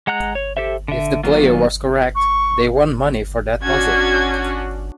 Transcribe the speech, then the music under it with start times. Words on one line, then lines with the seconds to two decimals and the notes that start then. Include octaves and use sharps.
If the player was correct, they won money for that puzzle.
0.07 G#3 F#5 A#5 F#6
0.35 C#5
0.57 G4 A4 C5 E5
0.88 D3 E5
1.23 D#3 F#3 A#3 B3 F4
2.15 C#6
3.63 C#4 D4 F#4 G#6